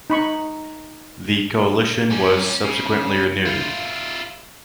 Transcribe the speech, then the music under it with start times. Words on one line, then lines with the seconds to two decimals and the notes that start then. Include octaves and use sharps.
The coalition was subsequently renewed.
0.10 D#4 B5 C#6
2.10 G3 C#4
2.65 C#3
3.45 E4 F4